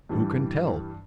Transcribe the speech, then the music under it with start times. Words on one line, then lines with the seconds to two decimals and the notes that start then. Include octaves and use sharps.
Who can tell?
0.09 G2 E3 G3